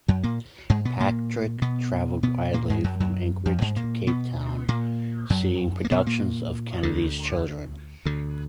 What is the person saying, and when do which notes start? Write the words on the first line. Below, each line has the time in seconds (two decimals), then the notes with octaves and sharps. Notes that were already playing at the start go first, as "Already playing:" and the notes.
Patrick traveled widely, from Anchorage to Cape Town, seeing productions of Kennedy's Children.
0.08 F#2 F#3
0.23 A#2 A#3
0.70 G#2 G#3
0.85 B2 B3
1.00 A#2 A#3
1.62 B2 B3
2.23 B2 B3
2.54 A#2 A#3
2.70 G#2 G#3
2.84 F#2 F#3
3.00 F#2 F#3
3.46 F2 F3
3.61 G#2 G#3
3.76 A#2 A#3
4.07 B2 B3
4.68 A#2 A#3
5.30 F#2 F#3
5.85 A#3
5.91 B2 B3
6.06 A#2 A#3
6.83 D2 D3
8.05 D2 D3